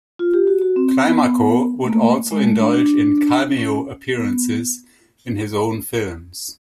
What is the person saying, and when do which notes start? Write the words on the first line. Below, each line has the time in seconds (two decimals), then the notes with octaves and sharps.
Climaco would also indulge in cameo appearances in his own films.
0.19 F4
0.34 G4
0.47 F#4
0.62 F#4
0.76 C4
1.04 B3
1.84 A3
1.89 A#3
2.31 G#3
2.45 A3
2.59 D4
2.73 D4
3.58 C#4
4.15 B3